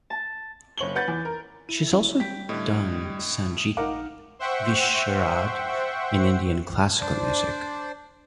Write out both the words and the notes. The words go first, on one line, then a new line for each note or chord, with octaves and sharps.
She has also done Sangeet Visharad in Indian classical music.
A5
F#1 C#5 F#7 G7
B4 F#5 G6 A6
E2
A#4
E4 D#7
G3 G5 B6
A2 D3 D#5
A#1 D#4 A#4 F5 F#5 D6
C5 E5 F#5 G5 C#6
D4 C5 D5